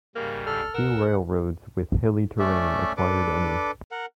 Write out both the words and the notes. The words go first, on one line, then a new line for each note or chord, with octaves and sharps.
Few railroads with hilly terrain acquired any.
G#2 C#3 G3 A#3
D3 A4 F6
A#4 F#5 E6
A3 C#4 D5 E5
D4 A4 B4 D6
A#4 F#5